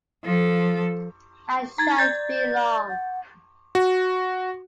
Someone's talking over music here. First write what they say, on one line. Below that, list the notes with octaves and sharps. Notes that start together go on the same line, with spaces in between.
I shan’t be long.
F3 A4
D#4 A#5 G#6 A6
D5 G6 A6
F#5
F#4